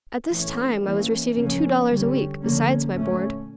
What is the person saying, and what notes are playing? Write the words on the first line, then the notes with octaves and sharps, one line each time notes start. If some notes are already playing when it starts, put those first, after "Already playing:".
At this time I was receiving two dollars a week, besides my board.
E3 A3 C#4
E3 A#3 C#4
C#3 F3 A#3 C#4
D3 G3 C#4
D3 F3 A#3 C#4
A#2 A3 C#4